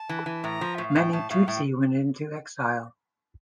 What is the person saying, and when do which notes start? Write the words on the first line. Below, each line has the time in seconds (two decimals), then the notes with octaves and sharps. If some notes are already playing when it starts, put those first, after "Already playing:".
Many Tutsi went into exile.
Already playing: A5
0.09 E3
0.26 E3
0.44 A2 A#5
0.61 F3
0.75 A2 E5
0.88 F5
0.96 A2 G5
1.12 A2 A5
1.30 A2 F5
1.47 A2 G5